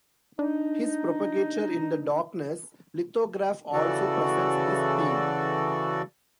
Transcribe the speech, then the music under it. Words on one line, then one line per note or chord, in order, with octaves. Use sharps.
His "Propagator in the Darkness" lithograph also presents this theme.
D4 D#4
C#3 E3 F#4 A4 D5